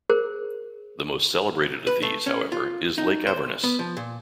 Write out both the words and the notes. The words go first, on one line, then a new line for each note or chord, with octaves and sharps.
The most celebrated of these, however, is Lake Avernus.
G#4 A#4 C5
B4
A3
C#4
F4
D#4
C5
B3
F3
A#2